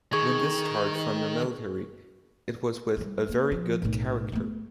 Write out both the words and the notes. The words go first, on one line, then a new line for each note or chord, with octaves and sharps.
When discharged from the military it was with 'a very good character'.
D#3 G#4 C#6 G#6
E3 G3
A#3
F3
B1 A2
A3 B3